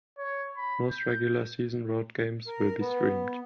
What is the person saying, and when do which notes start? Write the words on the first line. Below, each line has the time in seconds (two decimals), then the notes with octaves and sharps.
Most regular season road games will be streamed.
0.18 C#5
0.57 B5
0.91 G6
2.47 A#4
2.80 B3